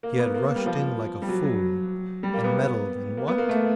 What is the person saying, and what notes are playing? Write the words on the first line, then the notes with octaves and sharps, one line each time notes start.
He had rushed in like a fool, and meddled in what?
A#3
B3
A#3
G3
F3
G3
F#3
F#3
G3
A#3
B3
A#3
B3
A#3
A3